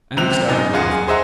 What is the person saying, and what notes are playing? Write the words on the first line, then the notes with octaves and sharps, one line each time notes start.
And he started laughing.
C#2 C3 C4 F#6 F7
F#2 A#2 D#4
F#2 F4 G#4 F#5
G#4 C5 D#5 E5 F#5 A#5